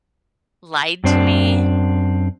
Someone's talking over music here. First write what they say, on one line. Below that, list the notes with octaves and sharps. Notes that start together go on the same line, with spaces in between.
lied to me.
F#2 C4 D4